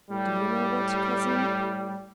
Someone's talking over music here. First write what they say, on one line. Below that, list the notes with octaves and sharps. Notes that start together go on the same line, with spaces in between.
Do you know what, cousin?
A2 G3